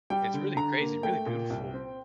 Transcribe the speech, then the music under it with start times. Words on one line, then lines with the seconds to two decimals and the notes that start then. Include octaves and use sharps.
It's really crazy, really beautiful,
0.10 G3 G5
0.34 D3
0.57 D3 A#5
0.79 A#3
1.03 A3 G5
1.26 A#2
1.50 C2
1.73 C4